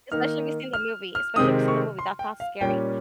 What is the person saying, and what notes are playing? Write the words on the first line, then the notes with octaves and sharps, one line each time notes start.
especially if you've seen the movie especially if you've seen the movie, that that's scary.
D#3 A#3 D#4 F6
F6
F6
C3 D#3 G#3 C4 D#4 D#6
C#6
C6
G5
F5
A#2 G3 C#4 G5